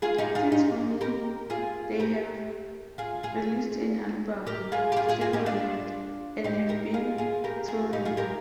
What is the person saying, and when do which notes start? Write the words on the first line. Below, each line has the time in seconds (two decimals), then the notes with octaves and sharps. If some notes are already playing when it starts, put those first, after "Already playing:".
Since forming they have released an album, "Stereo Night", and have been touring.
0.02 F4 G#4
0.18 D#4 G4
0.35 F4 G#4
0.52 D#4 G4
1.01 G4 A#4
1.50 F4 G#4
2.00 G4 A#4
2.98 F4 G#4
3.23 F4 G#4
4.47 G4 A#4
4.72 F4 G#4
4.92 G4
4.96 F4 G#4
5.08 F4 G#4
5.21 F4 G#4
5.33 D#4 G4
5.46 D4 F4
6.44 D#4 G4
6.69 G4 A#4
6.94 F4 G#4
7.18 F4 G#4
7.44 G4 A#4
7.68 F4 G#4
7.93 D#4 G4
8.05 F4 G#4
8.17 G4 A#4